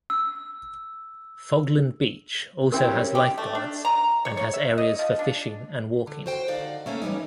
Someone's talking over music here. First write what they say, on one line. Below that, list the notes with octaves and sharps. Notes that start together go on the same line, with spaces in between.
Fogland Beach also has lifeguards, and has areas for fishing, and walking.
E6
C3 C4 E4 A#4 G5
G3 C#4
G4
A3
D4
A#5
C#5
C#5
E5
D#5
F3
D4
D3
F#4 C5 G5
D3 D#4 D5 F5
A3 A#3 C#4 A4
E3 G3 A3 A#3 D#4